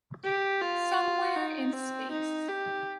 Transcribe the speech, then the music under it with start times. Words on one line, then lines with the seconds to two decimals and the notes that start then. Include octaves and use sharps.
Somewhere in space.
0.24 G4
0.62 F4
1.36 D#4
1.73 C4
2.11 D#4
2.48 G4